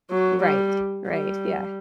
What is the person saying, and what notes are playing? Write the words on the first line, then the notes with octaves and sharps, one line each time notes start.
Right, right, yeah.
F#3
G3
G3